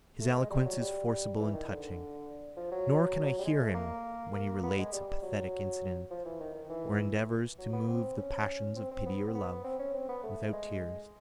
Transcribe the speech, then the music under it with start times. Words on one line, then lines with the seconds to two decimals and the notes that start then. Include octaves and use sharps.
His eloquence is forcible and touching; nor can I hear him, when he relates a pathetic incident or endeavours to move the passions of pity or love, without tears.
0.21 A3
0.35 G#3
0.50 G3
0.65 F#3
0.80 G3
1.39 E3
1.53 D#3
1.68 D3
2.57 F3
2.72 F#3
3.39 G3
3.45 G#3
3.60 A3
3.74 A#3
4.34 A#3
4.63 B3
4.78 G#3
4.93 G3
5.22 F#3
6.10 F3
6.25 E3
6.40 D#3
6.55 D#3
6.69 E3
7.58 F#3
7.73 B3
7.88 C4
8.17 C#4
8.76 C4
8.91 C4
9.06 B3
9.28 C4
9.35 B3
9.64 C4
9.79 C#4
9.94 C4
10.09 B3
10.23 A3
10.53 G#3